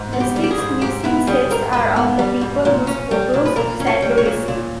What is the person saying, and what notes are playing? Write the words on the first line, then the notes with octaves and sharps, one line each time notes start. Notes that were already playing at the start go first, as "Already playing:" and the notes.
The six missing sets are of the people whose photos Sandow received.
Already playing: G#2
B3
G4
G3
G4
G#4
G#2
G#2 G4
B3 E4
G3 G#4
G#2 A#4
G#2 B4
B3
G3
G#2
A#2
C#4
G3
A#2
B4
A#2 A#4
C#4
C#5
G3
C#5
A#2
A#2